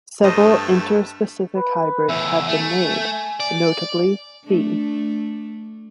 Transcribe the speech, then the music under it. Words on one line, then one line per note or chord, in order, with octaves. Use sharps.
Several interspecific hybrids have been made, notably B.
G2 A3 C5 D#5 A5
B4
E2 A2 E5
A3 G#5
D5
A3 D4